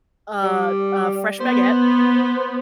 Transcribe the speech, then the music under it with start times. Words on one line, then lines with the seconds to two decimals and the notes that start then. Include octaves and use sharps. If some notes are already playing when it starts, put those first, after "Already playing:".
a a fresh baguette,
0.43 G3
1.41 B3 C5